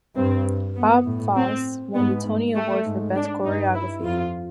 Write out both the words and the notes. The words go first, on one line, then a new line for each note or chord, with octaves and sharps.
Bob Fosse won the Tony Award for Best Choreography.
G2 C4
B3
A2
C4
G#2 B3
A3
G#2
D4
G2 D#4
E4
F2 F4